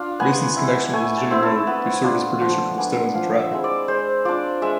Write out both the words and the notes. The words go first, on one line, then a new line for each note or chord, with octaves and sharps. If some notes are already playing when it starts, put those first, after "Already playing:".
Mason's connection was Jimmy Miller, who served as producer for the Stones and Traffic.
Already playing: D4 F4 F5
B3 G#5
E4
A3 G#5
A5
C4 E4
A5
B3
D4 F4
F3
B3 D4 G#5
F3 F5
E5
G#3 C4 E4
D5
G#3 C5
D4 F4 D5
G#3 E5